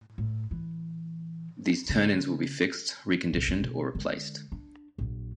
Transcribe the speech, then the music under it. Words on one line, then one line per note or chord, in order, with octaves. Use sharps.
These "turn-ins" will be fixed, reconditioned, or replaced.
A2
E3
C#3
C2 A#2
D#3 A3
B2
D3 G#3
D4
A#1 F#3